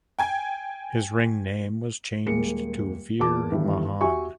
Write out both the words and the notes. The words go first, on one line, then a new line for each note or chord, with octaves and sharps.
His ring name was changed to Veer Mahaan.
G5 G#5 G#6
D#1 G#3 A#3 C#7
E2 A#3 A5 D6
G1 G2 D#3 E3
F#4 G4 E5 G#5 C#6